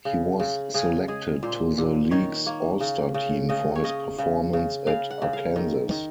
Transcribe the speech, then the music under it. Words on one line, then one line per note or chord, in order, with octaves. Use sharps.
He was selected to the league's all star team for his performance at Arkansas.
C#3
C#3
C#3 G#4
G#3 G#4
A#2 C5
A#2
D#3 C#5
A#3 C#5
C#3
C#3
C#3 D#5
C#5
C#3 D#5
C#3
C#3
C#3 F5
F#5
C#3
F5
D#3
D#3